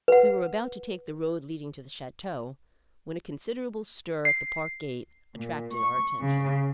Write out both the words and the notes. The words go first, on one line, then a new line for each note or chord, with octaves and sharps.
We were about to take the road leading to the chateau, when a considerable stir at the park gate attracted our attention.
B4 F#5
C7
A#2
C#6
C#3